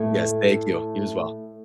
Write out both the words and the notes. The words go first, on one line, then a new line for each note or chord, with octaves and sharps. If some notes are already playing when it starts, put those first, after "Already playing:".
Yes, thank you. You as well.
Already playing: A2 A3